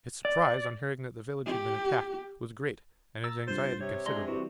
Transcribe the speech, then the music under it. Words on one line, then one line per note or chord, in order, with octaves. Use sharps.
His surprise on hearing that the village had been attacked was great and his anxiety considerable.
D5
G4
A#5 E6 A6
C2 G2 F4 C5
C3 C#5
G#3 D4 A#5 C6
E3 G3 C4 F#4